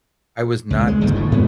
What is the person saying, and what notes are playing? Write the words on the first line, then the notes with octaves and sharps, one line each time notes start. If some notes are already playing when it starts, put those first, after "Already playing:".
I was not I
C#2
G#3
G1 D#2 G#2 D#3
A2
G#2 B3